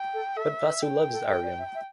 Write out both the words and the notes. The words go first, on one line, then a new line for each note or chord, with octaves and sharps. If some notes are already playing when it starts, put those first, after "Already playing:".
But Vasu loves Arjun.
Already playing: G5
A4
A4 E5
B4
A4 G5
B4
A4
A4
D5
E5
E5